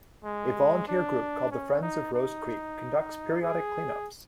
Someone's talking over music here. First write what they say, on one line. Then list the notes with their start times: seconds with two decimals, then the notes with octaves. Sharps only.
A volunteer group called the Friends of Rose Creek conducts periodic cleanups.
0.24 G#3
0.88 D4
1.51 C#4
1.83 D#4
2.14 D#4
3.41 G#4